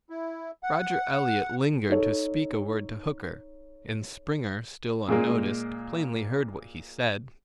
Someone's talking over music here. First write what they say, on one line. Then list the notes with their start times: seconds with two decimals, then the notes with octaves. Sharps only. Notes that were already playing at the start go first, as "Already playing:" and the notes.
Roger Eliot lingered to speak a word to Hooker, and Springer, still unnoticed, plainly heard what he said.
0.10 E4
0.63 F#5
1.89 D#4 A4 C#5
5.08 A#2 G#3 A#3